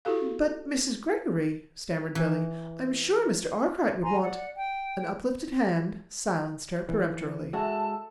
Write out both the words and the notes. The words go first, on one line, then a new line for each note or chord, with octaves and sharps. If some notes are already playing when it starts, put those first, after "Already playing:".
"But, Mrs. Greggory," stammered Billy, "I'm sure Mr. Arkwright would want--" An up-lifted hand silenced her peremptorily.
E4 F#4 G4 A4 F5
E3
G#5 A#5 C6
D5 F#5
G5
E3
G#3 F#4 A4 E5 A5